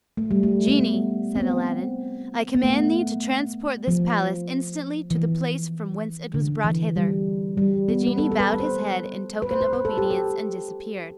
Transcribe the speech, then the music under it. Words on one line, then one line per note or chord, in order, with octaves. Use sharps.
"Genie," said Aladdin, "I command thee to transport this palace instantly to the place from whence it was brought hither." The genie bowed his head in token of obedience, and disappeared.
A3
G3
A3
A3
B3
C4
B3
B3
A3
F3
E3
D3
E3
G3
G3
B3
B4
A4
A4
B4
B4
C5
B4
C5
B4
B4
A4
G4
A4